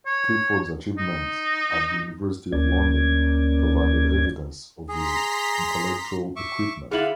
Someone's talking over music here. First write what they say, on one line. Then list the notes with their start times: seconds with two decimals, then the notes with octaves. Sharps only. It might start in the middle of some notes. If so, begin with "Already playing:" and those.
Clifford's achievements at the University of London provided evidence of his intellectual equipment.
0.06 C#5
0.98 D#4
2.52 D2 A#3 C#4 D5 G#6
4.88 G#4 A#5 C6 B6
6.36 E5 C#6 D6
6.91 D3 E4 F4 G#4 F5 F#5 F#7